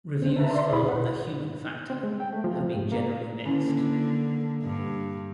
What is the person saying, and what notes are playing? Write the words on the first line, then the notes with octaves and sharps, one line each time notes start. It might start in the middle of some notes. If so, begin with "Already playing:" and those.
Reviews for "The Human Factor" have been generally mixed.
C4 C#4 C5
B4 E5 A5 A#5
D5 E5 C6
B2 E4 G#4 B5
B4 F#5
C4
G#3
G5
A3
F3
C3
G#2
A#3
D3 D#3 A#3 C#4 E4
G2